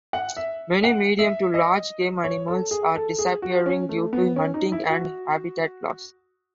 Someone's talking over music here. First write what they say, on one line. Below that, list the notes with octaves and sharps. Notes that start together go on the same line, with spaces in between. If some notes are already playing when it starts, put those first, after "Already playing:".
Many medium to large game animals are disappearing due to hunting and habitat loss.
F#5
E5
F#5
E5
D#5
C#5
A4
G#4
A4
G#4
F#4
C#4
A3
B3
C#4
D#4
E4
F#4